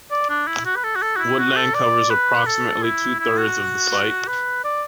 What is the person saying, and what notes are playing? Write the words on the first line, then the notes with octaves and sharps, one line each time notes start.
Woodland covers approximately two-thirds of the site.
D5
D4
E4
F#4
B4
A4
F#4
A4
F#4
E4
F#4
A4
D5
B4
A4
E4
E4
F#4
B4
D5